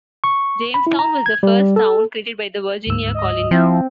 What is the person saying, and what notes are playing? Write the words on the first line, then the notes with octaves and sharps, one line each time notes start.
Jamestown was the first town created by the Virginia colony.
C#6
B5
E4
A#5
G#6
G3
A4
D2 G#2 E6
D#5
F3 C4 E4 E5